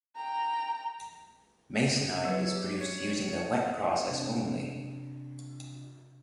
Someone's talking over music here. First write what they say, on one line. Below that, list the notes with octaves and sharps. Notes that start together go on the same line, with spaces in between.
Masonite is produced using the wet process only.
G5 A#5
F#3 B4 C#5
G4
C#5
C3 D4